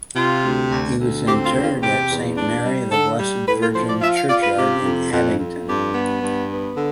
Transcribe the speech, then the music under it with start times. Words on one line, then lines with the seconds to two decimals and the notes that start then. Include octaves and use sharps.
He was interred at St Mary the Blessed Virgin Churchyard in Addington.
0.16 C3 F4
0.43 D2
0.71 D2
0.99 D2
1.26 C4 G4
1.44 F4
1.54 E2
1.63 F4
1.81 C3 G4
2.09 E2
2.36 D4
2.64 G3
2.91 D3 A4
3.19 G3
3.47 A2 B4
3.60 F4
3.74 F3 C5
3.88 D5
4.01 F4 E5
4.15 F5
4.29 F4 D5
4.43 B4
4.57 C3 G4
4.84 F2
5.12 F2
5.39 F2
5.67 G2 G4
5.94 B3
6.22 G2
6.50 B3
6.77 D3